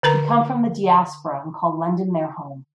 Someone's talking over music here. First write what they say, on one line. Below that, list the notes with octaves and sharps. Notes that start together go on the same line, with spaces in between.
We come from the diaspora and call London their home.
D3 A#4 B4 A#5